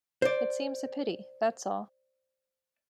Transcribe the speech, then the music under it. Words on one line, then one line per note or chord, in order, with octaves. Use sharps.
It seems a pity, that's all.'
C5 D5